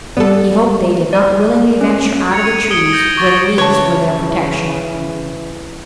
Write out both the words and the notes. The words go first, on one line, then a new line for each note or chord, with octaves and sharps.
He hoped they did not willingly venture out of the trees where the leaves were their protection.
G3 B3 A4 D5
D5
C#4
G#6 C#7 F7
D#7
D#6 G#6 C#7 D7 F#7 G7
G6 G#6 A#6 F#7
C#6 D6 G#6 A6 D7 G7
C#3 E3 B4 C#5 A5